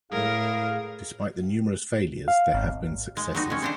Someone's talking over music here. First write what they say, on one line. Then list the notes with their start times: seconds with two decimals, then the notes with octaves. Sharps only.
Despite the numerous failures there have been successes.
0.12 A2 E4 G#4 A#4 F5
2.28 F5
2.54 G#1
3.17 G#3
3.35 F#3 G3 D#4
3.50 G#3 C#4
3.62 C4 D4 C5